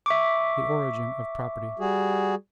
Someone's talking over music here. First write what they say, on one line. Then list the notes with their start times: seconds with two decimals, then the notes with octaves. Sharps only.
The Origin of Property.
0.06 E5 C#6 D6
1.80 G3 F#4 G#4